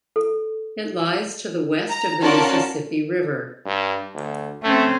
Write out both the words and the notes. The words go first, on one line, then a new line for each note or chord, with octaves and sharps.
It lies to the west of the Mississippi River.
A4
A#5
C#4 F4 F#4 A#4 D5 A5
G2
D2
A3 C4 C#4